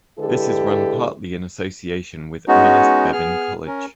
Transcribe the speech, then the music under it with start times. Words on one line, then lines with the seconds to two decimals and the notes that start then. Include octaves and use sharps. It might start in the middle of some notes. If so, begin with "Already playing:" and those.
This is run partly in association with Ernest Bevin College.
0.19 D3 G#3 E4 G4 A4 B4
2.48 G#3 B3 C#4 D#4 F#4
3.12 B3 G#4 F6
3.67 C#4 A#4